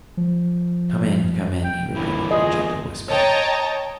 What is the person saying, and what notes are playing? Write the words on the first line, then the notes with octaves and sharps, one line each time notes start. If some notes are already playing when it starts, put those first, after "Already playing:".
"Come in, come in!" he repeated in a gentle whisper.
F3
G5
E2 D3 E4
F4 G#4 D#5
C#5 D#5 G5 A5 A#5